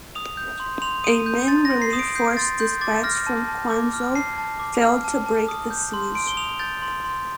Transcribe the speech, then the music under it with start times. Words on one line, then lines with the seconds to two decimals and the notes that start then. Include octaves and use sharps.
A Min relief force dispatched from Quanzhou failed to break the siege.
0.15 D#6 F7
0.37 G6
0.60 C6
0.82 C6 F7
1.04 D#6 D#7
1.26 G6
1.48 C6 A6
1.65 A#6
1.70 C6
1.82 C7
1.93 D#6
1.99 D7
2.15 G6 C7
2.37 C6 A6
2.60 C6 G6
2.81 D6 A6
3.04 F6 A#6
3.27 A5
3.48 A5
3.70 D6
3.94 F6
4.15 A5 C7
4.38 A5
4.60 D6
4.82 F6
5.04 A5
5.26 A5
5.48 D#6
5.70 G6
5.94 C6
6.15 C6 D7
6.27 G7
6.37 D#6 F7
6.59 G6 A6
6.82 C6
7.04 C6